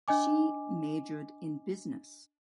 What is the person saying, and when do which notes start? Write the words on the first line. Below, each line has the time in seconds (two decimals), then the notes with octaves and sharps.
She majored in business.
0.08 D4 D#5 G#5 D6